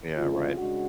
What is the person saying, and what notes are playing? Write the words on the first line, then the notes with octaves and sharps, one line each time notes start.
Yeah, right.
F2 C#3 F3 G#3 F4
C#3 G#3 D4 F#4